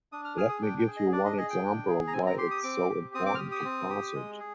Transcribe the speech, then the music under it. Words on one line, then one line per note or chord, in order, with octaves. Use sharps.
Let me give you one example of why it’s so important to pass it.
D4 D#6
F6
G#4 F6
D#6
D4 G5
G5
G#4
D#5
D4 D5
D#5
G#4 D#5
G5
D4
G#4
A#5
C4 G#5
A#5
G4 C6
D#6
C4 D6
G4
C4 D#6
D6
F6
G4 D#6
D#6
C4
G4
G#3
G#4